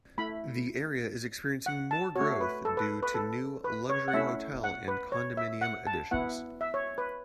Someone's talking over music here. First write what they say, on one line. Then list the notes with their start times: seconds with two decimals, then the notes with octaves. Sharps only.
The area is experiencing more growth due to new luxury hotel and condominium additions.
0.18 A3 E4 B5
1.66 F#5
1.91 A5
2.16 A3 F#4 C#5
2.41 B4
2.65 A4
2.77 B4
3.03 B4
3.14 A4
3.64 B4
3.89 C#5
4.08 F#5
4.14 A3 C#4 E4 E5
4.64 F#5
4.88 B4
5.12 C#5
5.37 E5
5.61 F#5
5.87 A5
6.11 B3 E4 F#5
6.61 E5
6.74 C#5
6.98 B4